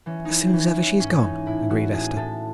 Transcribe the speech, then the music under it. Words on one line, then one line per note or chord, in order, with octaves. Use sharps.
"As soon as ever she's gone," agreed Esther.
E3 C#4
E3 D#4 E4
C4
E3 C#4
E3
G#2 C#4
E3 D#4
A2 E4
E3 F#4
A2 G#4
A2 A4